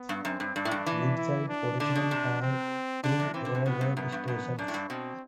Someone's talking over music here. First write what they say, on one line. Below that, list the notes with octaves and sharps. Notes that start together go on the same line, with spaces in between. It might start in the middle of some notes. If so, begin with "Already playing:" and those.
Woodside originally had two railroad stations.
Already playing: B3
G2
F#2 C4
G2
G2 D4
A2
G2
E3
E4
D4
D3 D4
B2
C3
C4
D3 D4
C3
E3 C4
D3
B2
A2 B3
G2
F#2 B3
G2
F#2 B3
F#2 D4
A2
G2
B2 C4